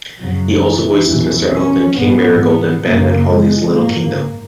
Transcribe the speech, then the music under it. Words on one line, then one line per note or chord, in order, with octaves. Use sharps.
He also voices Mr. Elf and King Marigold in "Ben and Holly's Little Kingdom".
F#2 C#3 F#3
E3
E2 B2
C#4
G#2 B3
B3
F#2 C#3 A#3
G#3
G#2 A#3